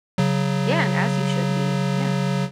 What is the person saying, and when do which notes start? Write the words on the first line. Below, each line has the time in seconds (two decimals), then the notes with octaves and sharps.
Yeah, and as you should be, yeah.
0.18 C#3 F#3